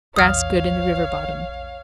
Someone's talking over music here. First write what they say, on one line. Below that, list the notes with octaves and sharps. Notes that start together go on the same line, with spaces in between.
Grass good in the river bottom.
A#1 E2 C#5 F5 D#6 F6